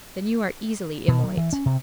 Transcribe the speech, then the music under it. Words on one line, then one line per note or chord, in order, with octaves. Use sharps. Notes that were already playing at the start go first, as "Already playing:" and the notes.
Then you are easily immolate!'
B2
F#3
E3
C#4
C3